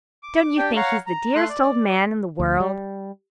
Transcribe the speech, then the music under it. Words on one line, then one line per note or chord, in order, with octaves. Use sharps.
Don't you think he's the dearest old man in the world?
D6
D4 G4 G5
C#5 F5 F#5 A#5
A#5
A3 C6 F#6
D5
D2
G3